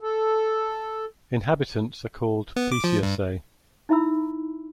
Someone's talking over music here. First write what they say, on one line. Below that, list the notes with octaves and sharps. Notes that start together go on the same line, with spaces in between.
Inhabitants are called "Pisciacais".
A4
B3
D6
F3
G2
D#4 E4 E5 A#5 B5 E6